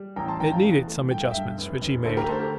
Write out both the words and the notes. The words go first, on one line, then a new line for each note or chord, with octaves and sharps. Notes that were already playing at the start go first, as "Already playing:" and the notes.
It needed some adjustments, which he made.
Already playing: G3
A1 G5 A#5
A5 C6
A1 G5 A#5
F5 A5
E2
A3
G2 G5
F5
G2 E5 G5
F1
F1
D2 A4 C5
G4 A#4
D2 A4 C5
G4 A#4